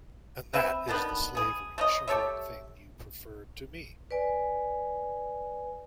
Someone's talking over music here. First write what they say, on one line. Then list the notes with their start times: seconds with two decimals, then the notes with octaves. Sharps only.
And that is the slavering, shivering thing you preferred to me!
0.54 C4 B4 E5
0.88 B2 D3 D#3 B3
1.35 B3 G#4
1.78 A3 C#5 D#5
2.08 G4 A4 C#5 E5
4.11 B4 D5 G#5